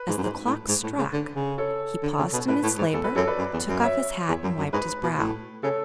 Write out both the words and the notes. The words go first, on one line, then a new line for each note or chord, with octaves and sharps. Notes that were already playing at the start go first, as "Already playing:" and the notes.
As the clock struck, he paused in his labor, took off his hat, and wiped his brow.
Already playing: B4
G#2
F#2
G#2
A2
G#2
A2
C#3
D3
C#3
A4 C#5
D3
C#3
B2
A2 B4
A2
G#2
E2 A4
B4
F#2 A4 C#5
B4 D5
F#2
E2
F#2
C#5 E5
E2
F#2
F#2
G#2 B4
B2
A2
C#3 A4 C#5